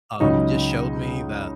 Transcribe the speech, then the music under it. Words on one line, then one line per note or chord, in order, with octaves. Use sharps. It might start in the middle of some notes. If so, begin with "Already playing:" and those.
Um, just showed me that,
C#2 C#3 F#3 D#4